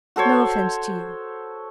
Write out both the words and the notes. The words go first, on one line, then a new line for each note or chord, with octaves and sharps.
No offence to you.
F#4 A4 C5 C#5